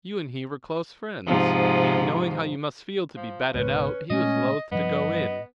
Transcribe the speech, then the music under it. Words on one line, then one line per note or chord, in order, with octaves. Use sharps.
You and he were close friends, and, knowing how you must feel to be batted out, he was loath to go in.
G#2 C3 F3
F3
C#2 G#2 B2 C#4 B4
A#2 G#3 A3 C#4 D#5
G2 F3 B3 D#5